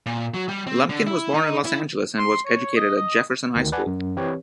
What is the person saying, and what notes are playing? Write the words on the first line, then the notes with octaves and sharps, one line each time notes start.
Lumpkin was born in Los Angeles and was educated at Jefferson High School.
A#2
F#3
G3
C4
D3
E4
D#4
E4
C6
C#5
D#5
D#5
D2 D#3
B4 D5 F#5 G#5 A5
F#2
E3 C4 G4 B4 C#5